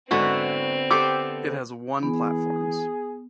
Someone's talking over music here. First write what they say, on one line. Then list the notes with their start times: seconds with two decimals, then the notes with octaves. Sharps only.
It has one platforms.
0.11 G#2 D3 B3 C4 E4 F#4
0.91 B3 G4 A4 C5 D6
2.03 E3 B3 G#4